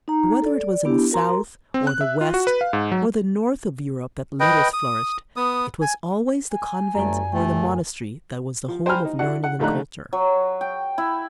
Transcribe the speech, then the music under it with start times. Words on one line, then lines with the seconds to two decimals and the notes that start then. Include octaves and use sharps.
But whether it was in the south, or the west or the north of Europe that letters flourished, it was always the convent or the monastery that was the home of learning and culture.
0.08 D#4 A#5
0.42 A4 D5
0.60 D5
0.85 B3 D4 E4 G4
1.11 F#4 A#4 A#5 C6
1.74 C4
1.87 F#6
2.01 E5
2.21 F4
2.34 F#4
2.47 B4
2.61 F5
2.73 G#2
2.92 F#3
4.40 B4 D#5 G5
4.73 D#6
5.36 B3 D#6
5.81 G#5
6.51 G#5
6.95 G1 F#2 F#3 A3 D5 A#5
7.32 G1 A#2 A3 G5
8.68 F3
8.86 C5 G5 G#5 A#5 B5 F6
9.05 D#4
9.19 D4 E4 F#4 F#5
9.44 F#5
9.59 A#1 D3 A3 D#4 A#5 F#6
10.13 F#3
10.61 G5
10.98 E4